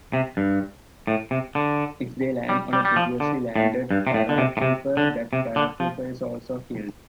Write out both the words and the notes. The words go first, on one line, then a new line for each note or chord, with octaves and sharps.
If they land on a previously landed paratrooper, that paratrooper is also killed.
C3
G2
A2
C3
D3
G3
G3
G3
F3
D3
A2
G2
C3
A2
D3
C3
A2
C3
D3
C3
D3
F3